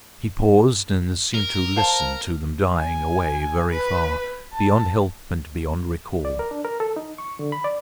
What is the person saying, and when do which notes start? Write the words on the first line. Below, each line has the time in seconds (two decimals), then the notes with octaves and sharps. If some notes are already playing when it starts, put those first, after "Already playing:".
He paused, and seemed to listen to them dying away very far--beyond help and beyond recall.
1.35 A#4
1.76 C5 F5 A5
2.77 G#5
3.71 B4
4.53 A5
6.25 D5
6.39 A#4
6.51 D4
6.65 A#4
6.80 A4
6.96 D#4
7.18 C#6
7.39 D3
7.52 B5
7.64 D5